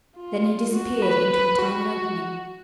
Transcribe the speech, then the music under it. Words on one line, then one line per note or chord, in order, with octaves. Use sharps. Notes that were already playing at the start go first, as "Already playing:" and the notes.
Then he disappeared into a tiny opening.
F4
F#4
B4
B4
F#4